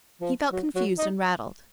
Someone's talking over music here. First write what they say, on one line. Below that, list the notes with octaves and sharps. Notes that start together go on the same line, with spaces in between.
He felt confused and rattled.
F3
F#3
F#3
D#4